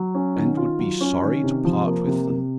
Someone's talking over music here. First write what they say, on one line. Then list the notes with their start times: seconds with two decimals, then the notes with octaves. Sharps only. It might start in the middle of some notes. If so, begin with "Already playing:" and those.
"And would be sorry to part with them?"
Already playing: F#3
0.15 C#4
0.36 D#3
0.57 F4
0.79 F#3
1.01 C#4
1.22 D#3
1.43 C3
1.65 F3
1.87 A#3
2.07 C3
2.29 C3